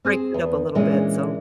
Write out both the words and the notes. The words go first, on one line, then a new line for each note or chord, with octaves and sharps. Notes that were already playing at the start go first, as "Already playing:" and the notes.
breaks it up a little bit, so
C4 G#4 C5
E2
A#2 E3 G#3 C#4 D4